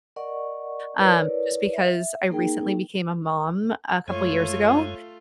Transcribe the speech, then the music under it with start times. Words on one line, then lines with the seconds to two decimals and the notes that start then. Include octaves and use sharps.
um, just because I recently became a mom a couple years ago,
0.16 A#4 D5 D#5 F#5 C#6
0.98 E4 A#4 B4 C#5 D5
1.73 E5
2.30 A#3 D#4 G#4 A#4 G5
4.08 F#2 G#3 A3 F4 C#5